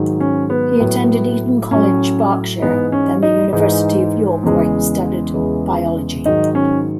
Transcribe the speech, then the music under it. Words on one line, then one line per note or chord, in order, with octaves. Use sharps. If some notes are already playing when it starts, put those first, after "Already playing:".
He attended Eton College, Berkshire, then the University of York, where he studied Biology.
Already playing: G#2 D#3 F#3
C#4
B3
A2 F#3
A2 F#3 C#4
G#2 E3 G#3 B3
C#4
D#4
G#2 E3 G#3 D#4
E2 C#3 E3 G#3
E2 C#3 E3 G#3
G#2 D#3 F#3 D#4
C#4